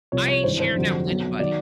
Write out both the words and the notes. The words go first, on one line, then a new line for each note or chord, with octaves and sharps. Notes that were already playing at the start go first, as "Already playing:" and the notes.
I ain't sharing that with anybody.
C2 C3 F3 C#5
C#5
G#1 G2 E3 C5
C5
F1 F2 D3 F#3
B1 B2 F#3
D#3 F#3 D5